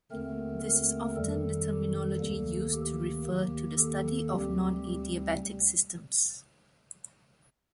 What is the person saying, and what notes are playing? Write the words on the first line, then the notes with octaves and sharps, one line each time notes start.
This is often the terminology used to refer to the study of nonadiabatic systems.
D#2 D3 A3 C4 A#4
A#4
F2 D#3 G3 A4
D2 C3 D#3 A#3
G4
D#2 D#3 A#3
A4
D2 C3 G3 C4 G4